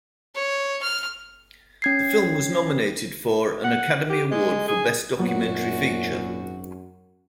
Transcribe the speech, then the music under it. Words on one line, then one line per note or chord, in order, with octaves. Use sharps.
The film was nominated for an Academy Award for Best Documentary Feature.
C#5
F6
C#4 G#6 C7
F#5
G4
G#3
G#4
G#1 F#2 A#2 F#3 B3 F#4